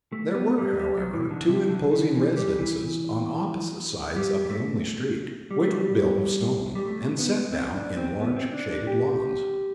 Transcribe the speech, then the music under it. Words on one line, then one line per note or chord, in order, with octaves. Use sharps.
There were, however, two imposing residences, on opposite sides of the only street, which were built of stone, and set down in large shaded lawns.
A3
B3
G3
G3
F#3
E3
D3
C3
D3
E3
E3
G3
E3
G3
G3
A3
G3
A3
G3
G3
A3
B3
C4
D4
C4
B3
C4
D4
D4
G4